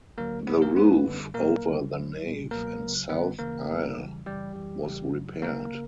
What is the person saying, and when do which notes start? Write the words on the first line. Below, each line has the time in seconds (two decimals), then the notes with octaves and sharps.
The roof over the nave and south aisle was repaired.
0.18 D2 D3 F#3 A#3 A#4
0.47 E2 B2 F#3 B3 B4
0.62 A#3 A#4
0.76 G2 F#3 B3 B4
1.06 F#2 D3 G3
1.34 A#2 F#3 A#3 A#4
1.63 D2 C#3 G3
1.93 D2 D3 F#3
2.22 A#2 G3
2.51 C#2 B2 F#3 A#3 A#4
2.80 C#2 C#3 F#3
3.09 F#2 D3 G3 B3 B4
3.39 D2 C#3 E3 A#3 A#4
3.68 G2 D3 G3
3.97 E2 C#3 E3 G3
4.26 F#2 C#3 E3 G3 G4
4.55 F#2 E3 G3
4.85 E2 C#3 E3 G3
5.14 F#2 C#3 F#3
5.42 D2 C#3 F#3 A#3 A#4
5.72 C#3